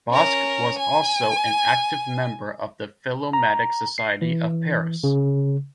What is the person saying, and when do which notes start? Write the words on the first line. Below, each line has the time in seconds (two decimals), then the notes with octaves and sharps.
Bosc was also an active member of the Philomatic Society of Paris.
0.11 C#4 A#4
0.79 G#5
3.33 A#5
3.98 C7
4.22 E3
5.04 C#3